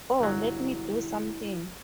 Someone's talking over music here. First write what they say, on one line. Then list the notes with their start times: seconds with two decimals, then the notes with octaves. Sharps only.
Oh, let me do something!
0.20 G1 F#3 E4